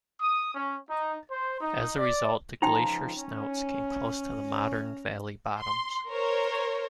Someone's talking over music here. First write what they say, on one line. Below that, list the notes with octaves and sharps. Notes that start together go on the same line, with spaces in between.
As a result, the glacier snouts came close to the modern valley bottoms.
D#6
C#4
D#4
C5
D#4
D5
C#2 F3 D#4 G5 A#5 C6
C#4
C6
A#4 C5 C#5